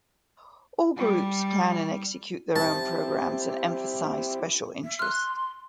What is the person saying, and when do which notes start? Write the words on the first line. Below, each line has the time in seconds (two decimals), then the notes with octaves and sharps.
All groups plan and execute their own programs and emphasize special interests.
0.97 G3
2.56 C4 E4 G4 A5
4.84 E5
4.99 C6 F6 F#6